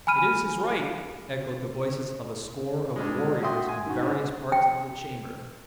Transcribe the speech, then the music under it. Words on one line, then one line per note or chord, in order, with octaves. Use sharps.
"It is his right," echoed the voices of a score of warriors in various parts of the chamber.
G#5 B5 F6 D#7
G2 G#3
F#4 E5 G5 C6 D#6
G#5
D#3 F#4
G#2
G5